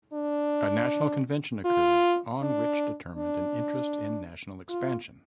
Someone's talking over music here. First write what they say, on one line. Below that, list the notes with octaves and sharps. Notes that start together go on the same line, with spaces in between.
A national convention occurred on which determined an interest in national expansion.
D4
F4
D4
D4
F4